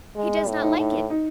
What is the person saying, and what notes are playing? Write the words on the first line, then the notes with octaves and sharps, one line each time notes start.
He does not like it!
G#3
A2
D#4
A2
D#4